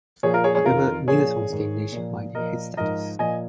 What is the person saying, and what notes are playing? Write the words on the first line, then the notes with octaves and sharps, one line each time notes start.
However, neither song gained nationwide hit status.
A#2 F3 G#4 C#5
F4 A#4
G#4 C#5
G#4 C#5
F2 D#3 F4 A#4
A#2 F3 G#4 C#5
G#2 D#3
A#2 F3
A#2 F3 A#4 D#5
G#2 F3 A#4 D#5
A#2 F3 D#5 G#5